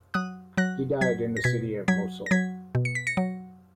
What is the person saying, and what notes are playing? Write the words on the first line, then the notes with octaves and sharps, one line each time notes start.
He died in the city of Mosul.
F#3 D#6 F#6
F#3 F#6 A#6
F#3 G#6 B6
A#6
B2 G#6 B6
F#3 G#6 B6
A#6
F#3 G#6 B6
B2
C#7
B6
A#6 C#7
F#3